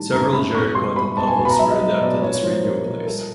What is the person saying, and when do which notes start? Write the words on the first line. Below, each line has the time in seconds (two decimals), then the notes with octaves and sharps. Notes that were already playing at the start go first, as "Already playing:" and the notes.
Several Jerry Cotton novels were adapted as radio plays.
Already playing: A2 D#3 G3 A5
0.12 F#2 A#5
0.33 F#2 B5
0.54 B2 C#6
0.75 G3 C6
0.96 G3 B5
1.17 B2 A5
1.27 G#5
1.39 B2 A5
1.45 B5
1.49 A#5
1.59 F#3 E5
1.70 D#5
1.80 F#3 D#5
2.01 B2 D5
2.22 A#2 C#5
2.43 F3 C5
2.64 F3 A#4
2.85 A#2 A#4
3.06 G3 A4